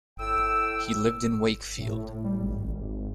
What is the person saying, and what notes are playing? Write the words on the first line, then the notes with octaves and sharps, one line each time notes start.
He lived in Wakefield.
A2 G5 E6
A2
G3
G#1
G#1